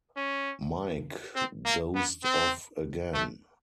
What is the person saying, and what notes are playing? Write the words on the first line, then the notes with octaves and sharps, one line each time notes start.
Mike dozed off again.
C#4
C4
A#3
B3
C4
A3